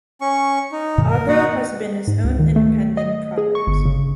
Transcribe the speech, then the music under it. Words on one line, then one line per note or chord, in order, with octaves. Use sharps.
Abra has been its own independent province.
C#4 C#6
D#4
G2 B2 D#3
A#4
A#3 D#4 F#4 F#5
G#2
C#2
D#3
A3
D#5
G#4
C#6
G1
C#3